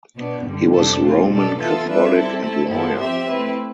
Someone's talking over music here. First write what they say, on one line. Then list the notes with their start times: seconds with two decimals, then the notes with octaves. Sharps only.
He was Roman Catholic and lawyer.
0.16 B2 B3 D4
0.45 G2 D3 G3
0.73 F2 C3 G3 D4 A4
1.01 A3 C4 F4
1.29 B2 G3 D4 A4
1.58 E3 B3 F4 A4 E5
1.87 G3 D4 F4 B4 E5
2.14 G3 C4 E4 A4
2.42 A3 E4 A4
2.71 G2 F3 B3 E4 A4
3.00 F3 C4 G4 C5 E5
3.27 A3 C4 E4 B4